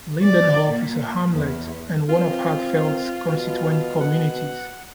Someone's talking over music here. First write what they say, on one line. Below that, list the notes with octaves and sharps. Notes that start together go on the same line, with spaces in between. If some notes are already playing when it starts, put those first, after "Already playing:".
Lindenhof is a hamlet and one of Hatzfeld's constituent communities.
D5
A#2
E2
C4 F4
B2
F#5